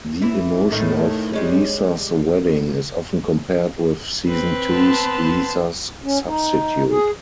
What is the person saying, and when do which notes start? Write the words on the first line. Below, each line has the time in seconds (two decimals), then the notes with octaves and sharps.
The emotion of "Lisa's Wedding" is often compared with season two's "Lisa's Substitute".
0.22 E3 E4
0.72 A2 D#3 A3
1.33 G3 G#3 C#4
4.27 C4 B4
4.70 B3 A5 C6
6.04 C#4
6.28 D#4
6.89 G#4